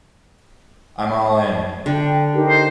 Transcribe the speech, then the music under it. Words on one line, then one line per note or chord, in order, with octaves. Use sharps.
I'm all in.
D3 G5
D#4 G4 A#4
C5